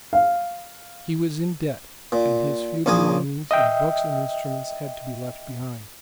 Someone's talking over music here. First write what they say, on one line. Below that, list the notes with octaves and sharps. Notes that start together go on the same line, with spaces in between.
He was in debt, and his few belongings in books and instruments had to be left behind.
F5
A#2
A#1 A#3 A#4 G#5 D#6
D#5 E5 G5